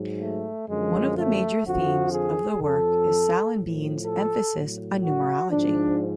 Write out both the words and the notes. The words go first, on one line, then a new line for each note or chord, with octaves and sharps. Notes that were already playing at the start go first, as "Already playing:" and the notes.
One of the major themes of the work is Salimbene's emphasis on numerology.
Already playing: G#2 F#3
A3
F#2 D3 F3 G#3
A3
F2 D3 F3 F#4
G#4
F2 F3 A4
A2 F3
A4
A2 F#3
F#4
G#2 F3 D4